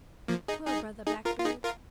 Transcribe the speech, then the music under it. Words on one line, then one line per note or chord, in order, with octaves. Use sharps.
Poor Brother Blackbird!
F3 A#3
D#4 G#4
D#4 G#4
D#4 G#4
F4 A#4
F4
D#4 G#4
F4 A#4